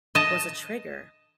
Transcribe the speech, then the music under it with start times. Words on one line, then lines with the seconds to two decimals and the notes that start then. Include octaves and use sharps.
was a trigger."
0.15 D#5 A5